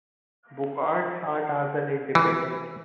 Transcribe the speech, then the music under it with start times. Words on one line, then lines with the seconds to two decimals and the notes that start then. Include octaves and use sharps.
Bouchard sat as an independent.
2.15 E3